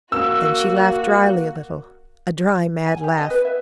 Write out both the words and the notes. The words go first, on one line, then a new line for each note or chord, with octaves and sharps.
Then she laughed dryly a little--a dry, mad laugh.
A#3 F#4 E6
G#5
G4
D#5
B4
E5